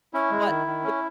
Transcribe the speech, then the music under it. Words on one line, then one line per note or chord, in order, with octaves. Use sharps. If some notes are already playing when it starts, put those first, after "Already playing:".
but i
C#4 E4
G#3
D#3
D#3
C#4